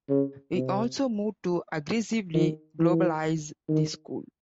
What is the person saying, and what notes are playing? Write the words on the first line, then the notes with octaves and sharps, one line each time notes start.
He also moved to aggressively globalize the School.
C#3
C3
D#3
E3
D#3